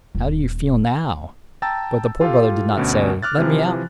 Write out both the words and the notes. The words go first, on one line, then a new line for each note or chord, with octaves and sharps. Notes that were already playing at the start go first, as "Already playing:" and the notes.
How do you feel now?" But the Poor Brother did not say, "Let me out!
D#1
G5 A5 A#5 E6 A6
F4 G4 A4 F5
D2 B2 C#4
D6 F6 F#6 A6
C3 E3 F3